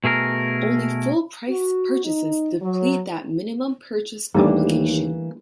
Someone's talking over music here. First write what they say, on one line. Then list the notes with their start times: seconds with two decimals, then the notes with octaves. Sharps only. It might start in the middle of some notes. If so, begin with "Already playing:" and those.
Only full price purchases deplete that minimum purchase obligation.
0.04 B2 A3 G#4 A#4
1.48 F#4
2.04 D#4
2.62 F#3
4.35 D#2 E3 G3 A3 A#3 D4